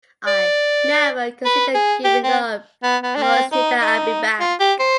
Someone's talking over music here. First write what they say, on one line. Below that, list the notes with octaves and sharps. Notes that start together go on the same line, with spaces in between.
I never considered giving up; I always knew that I'd be back.
D5
B4
G#4
G4
C4
B3
B3
D4
C4
D#4
D#4
F4
G4
C5